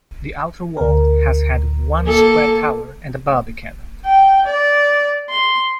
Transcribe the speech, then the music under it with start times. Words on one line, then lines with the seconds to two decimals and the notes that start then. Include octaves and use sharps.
The outer wall has had one square tower and a barbican.
0.77 D2 A#4
2.04 A#3 A4
4.05 G5
4.46 D5
5.29 C6